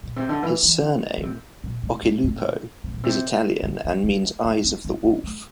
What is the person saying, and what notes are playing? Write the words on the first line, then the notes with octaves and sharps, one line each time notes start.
His surname, Occhilupo, is Italian and means eyes of the wolf.
A#2
C3
D3
E3
E3
D3
C3
A#2
A2
G2
A2
C3
A#2
C3
D3
F3
G3
A3
A#3
C4
A#3
A#3
A3